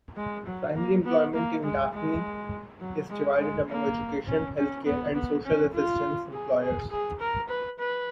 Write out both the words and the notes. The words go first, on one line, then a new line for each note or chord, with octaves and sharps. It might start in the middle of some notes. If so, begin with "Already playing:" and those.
Primary employment in Daphne is divided among education, healthcare and social assistance employers.
G#3
F#3
A#3
B3
A#3
G#3
G#3
F#3
G#3
G#3
A#3
C#4
C#4
B3
B3
C#4
F4
G#4
G#4
G#4
A#4
B4
B4